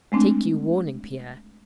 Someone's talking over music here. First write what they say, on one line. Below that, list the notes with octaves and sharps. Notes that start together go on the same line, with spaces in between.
Take you warning, Pierre!
G#3 A3 C4 D4